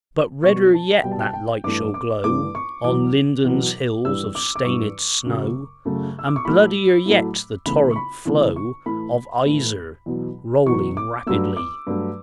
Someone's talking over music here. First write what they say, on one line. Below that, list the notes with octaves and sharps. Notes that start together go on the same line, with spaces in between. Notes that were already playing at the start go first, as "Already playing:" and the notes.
But redder yet that light shall glow On Linden's hills of stained snow; And bloodier yet the torrent flow Of Iser, rolling rapidly.
B2 G3 C#6
A5
B2 G3 G5
A5
G5
A5
G5
G2 E3 A3 D6
D6
G2 E3 A3 D6
C#6
E2 B2 F#3 D6
E2 B2 F#3
G2 E3 G3 E6
D6
D6
G2 E3 G3 C#6
F#2 C#3 F#3 A3
F#2 C#3 F#3 A3
E6
D6
C#6
A2 F#3 A3 B5
A2 F#3 A3
E2 C#3 E3 A3 B5
C#6
B5
E2 C#3 E3 A3
C#6
A2 E3 A3 B5
A2 E3 A3
E2 B2 F#3
E2 B2 F#3 C#6
D6
G2 F#3 A3 E6
D6
G2 F#3 A3